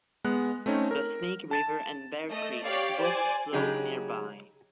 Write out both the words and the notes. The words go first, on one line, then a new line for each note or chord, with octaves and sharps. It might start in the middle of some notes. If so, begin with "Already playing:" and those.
The Snake River and Bear Creek both flow nearby.
G#3 B3 F#6
A3 C4 C#4 D#4
A#4
A5 A6 E7
A3 D#5
G4 C#5 D5 F5
C5 D5 G#5
C#3 F#3 D#4 G4 G#4